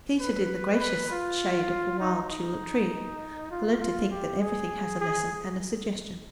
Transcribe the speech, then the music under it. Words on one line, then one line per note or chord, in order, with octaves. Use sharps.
Seated in the gracious shade of a wild tulip tree, I learned to think that everything has a lesson and a suggestion.
B4
B4
F4
D#4
D#4
F4
F4
G4
G#4
G#4